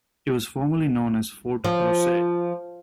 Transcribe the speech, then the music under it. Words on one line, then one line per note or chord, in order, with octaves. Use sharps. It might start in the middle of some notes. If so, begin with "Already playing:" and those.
It was formerly known as Fort-Rousset.
F3